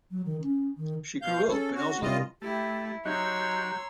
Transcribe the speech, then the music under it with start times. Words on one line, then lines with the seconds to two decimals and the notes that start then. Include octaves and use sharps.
She grew up in Oslo.
0.11 F#3
0.26 D#3
0.42 C#4
0.77 D#3
1.22 B2 F5 G6
1.49 C#4 G#4 A4 C#5
1.74 F#4
2.02 C3 G3 E4 F4 D#5
2.42 A3 E4 G4
3.05 F#3 D#4 F#4 G4 C#5 A#5 C6 E6